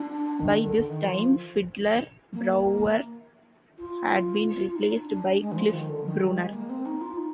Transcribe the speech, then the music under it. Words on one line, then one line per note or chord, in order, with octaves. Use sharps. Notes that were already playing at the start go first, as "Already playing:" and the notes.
By this time, fiddler Brower had been replaced by Cliff Bruner.
Already playing: D4
D#3
D3
D#3
F3
A#3
A#3
F4
F4
D#4
D4
D4
G#3
D#3
F3
D#3
D3
D#3
G3
G#3
A#3
C4
D#4
F4
D#4